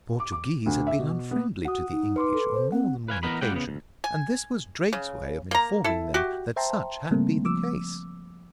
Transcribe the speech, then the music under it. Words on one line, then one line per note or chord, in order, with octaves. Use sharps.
The Portuguese had been unfriendly to the English on more than one occasion, and this was Drake's way of informing them that such had been the case.
D6
D6
D2
E5
B2
B3
F#4 F#5 D#6
D#4
B4 C6 D6
A4
C5
C4 F#5
B4 F5 G#5
E3 B3 A#4 D#5 B5
G3 G#3 F4 F#5 G5
C#3 B3
D2
G#5
C#3
A#3 A#5
E4 A4
F#4 G4
C5 E5 G5 A5 A#5 C6
C#3 G3 A3 A#3 C4
F3 D6 E6